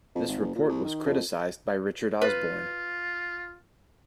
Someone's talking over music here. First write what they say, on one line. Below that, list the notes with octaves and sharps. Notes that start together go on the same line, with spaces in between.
This report was criticized by Richard Osborne.
F2
G#1
F#1
A#2
C2
D#3
F2
F4 B4